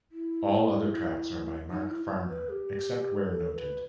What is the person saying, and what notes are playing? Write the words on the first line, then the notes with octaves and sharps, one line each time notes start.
All other tracks are by Mark Farner, except where noted.
E4
D#4
E4
B4
G4
A4
B4